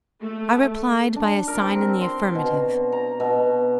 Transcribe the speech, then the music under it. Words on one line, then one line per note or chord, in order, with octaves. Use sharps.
I replied by a sign in the affirmative.
A3
D4
A#4
C4
C6
B2
A#5
B2